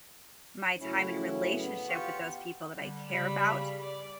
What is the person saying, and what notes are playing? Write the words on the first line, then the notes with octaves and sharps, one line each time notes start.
my time and relationship with those people that I care about,
A2 C#3 F#3 C#4 E4
B3
F4 G4 C#6
D3 G3
C#3 G3 B5
D5